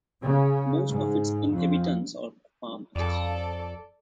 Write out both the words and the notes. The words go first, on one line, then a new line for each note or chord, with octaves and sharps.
Most of its inhabitants are farmers.
C#3
G#2
F2
F2 A4 D5